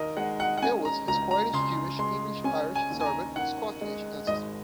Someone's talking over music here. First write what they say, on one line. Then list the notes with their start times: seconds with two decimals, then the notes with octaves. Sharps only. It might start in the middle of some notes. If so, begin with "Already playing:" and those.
Elwes has Croatian Jewish, English, Irish, Serbian, and Scottish ancestry.
Already playing: D#2 D#3 A#4 D#5
0.17 G#3 F#5
0.40 F#5
0.58 F#5
0.62 C#4 G#5
0.85 A#5
1.08 C#2 A#5
1.31 A#5
1.53 C#3 C6
1.99 G#3 C6
2.44 C#4 G#5
2.75 G#5
2.90 D#2
3.01 G#5
3.06 A#5
3.36 D#3 F#5
3.81 G#3
4.27 G#1 D#5